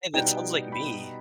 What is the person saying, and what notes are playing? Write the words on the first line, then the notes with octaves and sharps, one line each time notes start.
And that sounds like me.
B2 G3 B3 D#4 G5
B5